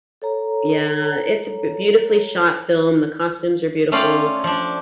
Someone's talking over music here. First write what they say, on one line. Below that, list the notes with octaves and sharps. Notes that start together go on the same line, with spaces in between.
yeah, it's a b beautifully shot film, the costumes are beautiful,
A4 C#5 A#5
A3 C#4 F4 D5 F5 G5
F3 D4